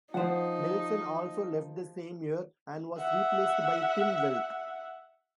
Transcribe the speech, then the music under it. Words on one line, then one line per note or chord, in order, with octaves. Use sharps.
Nelson also left the same year, and was replaced by Tim Welch.
F3 D#4 C5 F#5
E5 F#5